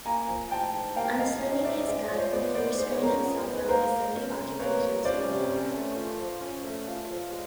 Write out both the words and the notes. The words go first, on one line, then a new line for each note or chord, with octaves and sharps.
Unslinging his gun, he restrained himself from his Sunday occupations no longer.
A#3 G#5 A#5
F3
G#2 G5 A5
G#2
A#3 F5 G5
F3 D#5 F5
G#2 C#5 D#5
D#5
G#2 D5 E5
D#5
G#3 D5 E5
F3 C#5 D#5
C5
C#5
B3 C5 D5
G#2 C5 D5
G#3 C5
C#5
F3 A#4 C5
B3
G#2
B4
A#3 A#4 C5
F3
C#4
C3
A#3 B4 C#5
F3
C#4 C5 D5
C3
C#4
A3
F4
F3
C#4
A3
F4
F3
G#3